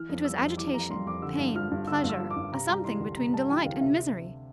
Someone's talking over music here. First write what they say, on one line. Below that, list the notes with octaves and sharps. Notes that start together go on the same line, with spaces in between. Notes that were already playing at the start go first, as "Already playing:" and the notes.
It was agitation, pain, pleasure, a something between delight and misery.
Already playing: E3 F6
F2
G3 E6
F2
E3 D6
F2 A#5
G3 C6
F2 D6
D3 E6
G2
F3 F6
G2
D3 E6
G2
E6
F3
D6
G2
C3 A#5
G3 A#5
E3 C6
D2 C6
C3 A#5
G3 A5
E3 G5
D2 F5
C3 E5